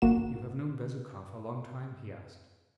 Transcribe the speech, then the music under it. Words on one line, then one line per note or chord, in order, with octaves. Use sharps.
"You have known Bezukhov a long time?" he asked.
G1 A#3 F#4 E7